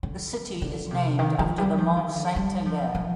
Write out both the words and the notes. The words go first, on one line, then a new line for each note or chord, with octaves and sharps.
The city is named after the Mont Saint-Hilaire.
D3
D3
C3
D#3
F3
G3
F3
D#3
D3
G3
F3
F3